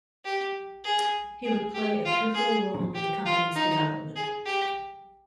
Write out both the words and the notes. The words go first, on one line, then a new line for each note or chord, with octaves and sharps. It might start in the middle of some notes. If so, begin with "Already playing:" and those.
He would play a pivotal role in the company's development.
G4
G#4
G#4
G4
F4
G#4
G4
F4
D#4
G#4
G4